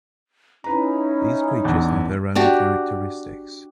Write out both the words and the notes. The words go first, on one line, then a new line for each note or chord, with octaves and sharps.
These creatures have their own characteristics.
C#4 D#4 E4 B4 A#5
A1 E2 D4
D4 F#4 G4